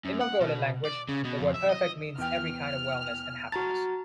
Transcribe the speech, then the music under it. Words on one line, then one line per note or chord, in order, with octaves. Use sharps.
In Mongolian Language the word “Perfect” means every kind of wellness and happiness.
F#2
F#5
B2
D5
C#3
B2
F2
E5
D#5
E2 G5 F6
F#4 A5 A#5 C#6 A6